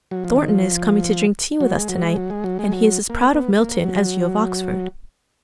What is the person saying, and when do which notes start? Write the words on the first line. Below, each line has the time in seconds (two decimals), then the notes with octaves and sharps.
Thornton is coming to drink tea with us to-night, and he is as proud of Milton as you of Oxford.
0.11 F#3
0.25 F3
0.36 D#3
0.48 F3
1.60 F#3
1.74 G#3
1.89 F#3
2.02 G#3
2.16 F#3
2.30 G#3
2.44 F#3
2.59 G#3
2.72 F#3
3.10 A#3
3.34 B3
3.59 A#3
3.84 F#3